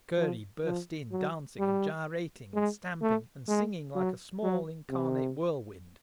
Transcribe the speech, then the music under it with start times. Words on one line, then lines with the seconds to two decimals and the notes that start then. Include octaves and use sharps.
Curdie burst in dancing and gyrating and stamping and singing like a small incarnate whirlwind.
0.18 F3
0.65 F3
1.12 F#3
1.59 G3
2.54 G#3
3.02 A3
3.48 G#3
3.95 F#3
4.43 F#3
4.89 C3